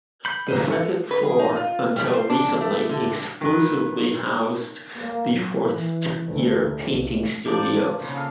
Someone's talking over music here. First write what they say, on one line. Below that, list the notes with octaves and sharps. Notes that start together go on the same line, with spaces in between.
The second floor until recently exclusively housed the fourth year painting studios.
B5 G6
B4 C5 A#5
A4
B4
G#4
D#4
F4
G3
C5
D4
A3
D3
D#3 B4
A#3
F#3
E3
D2
C2
F3 D4 D#4 D5
G4
C#3 A#3 F4
A4 F5